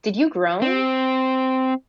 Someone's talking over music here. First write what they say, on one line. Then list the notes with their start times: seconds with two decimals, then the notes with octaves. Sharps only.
Did you groan?
0.62 C4